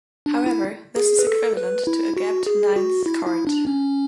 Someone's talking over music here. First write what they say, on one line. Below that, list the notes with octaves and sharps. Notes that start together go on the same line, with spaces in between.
However, this is equivalent to a gapped ninth chord.
D4
E4
G#4
B4
A4
B4
E4
F#4
G#4
F#4
E4
E4
D4
C#4